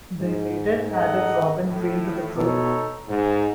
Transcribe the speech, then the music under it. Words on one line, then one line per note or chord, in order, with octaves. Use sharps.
They later added Robin Green to the group.
G#2
D#4 A4 D#5 F#5
A2
B2 D#4 A4 C#5
G#2